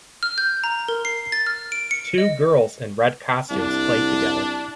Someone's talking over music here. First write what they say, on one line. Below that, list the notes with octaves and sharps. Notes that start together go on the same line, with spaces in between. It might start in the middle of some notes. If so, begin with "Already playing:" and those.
Two girls in red costumes play together.
F6
G6
A#5
A#4
C7
A6
F6
D7
C#7
D#5
C2 D4